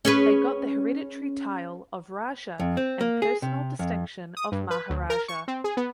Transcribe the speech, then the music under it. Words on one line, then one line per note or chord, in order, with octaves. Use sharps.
They got the hereditary tile of Raja and Personal distinction of Maharaja.
C#4 G#4 B4
F2
C4
A#3
G#4
C3
F2
D#6
G2
B4
D2
A#4
C#6
C4
G#4
B3